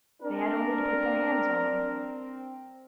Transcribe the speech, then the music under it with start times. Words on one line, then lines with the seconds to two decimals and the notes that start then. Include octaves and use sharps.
They had only to put their hands on him.
0.23 C4 D4 A#4